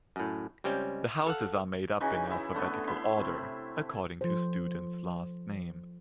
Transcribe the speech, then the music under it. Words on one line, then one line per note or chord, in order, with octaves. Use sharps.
The houses are made up in alphabetical order, according to students last name.
F#2 A2
C#2 G3 C4 C#4 G5
A4 F5 F#5
C#3 E3 D#4 F#4
E4
D3 A3 B3
E4 B5 C6
C3
F3 A4 C5